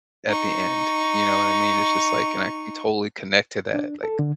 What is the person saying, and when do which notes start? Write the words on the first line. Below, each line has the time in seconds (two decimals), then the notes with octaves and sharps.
at the end, you know what I mean? It's just like and I can totally connect to that, like,
0.28 D#4 C#6
3.74 D4
4.04 A4
4.19 D3